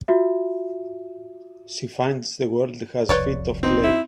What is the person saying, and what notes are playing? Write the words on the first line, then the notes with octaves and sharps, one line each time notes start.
She finds the world has feet of clay.
F4 F#4 E5
E1 C2 F2 B4 C#5 D5
C4 D#4
E4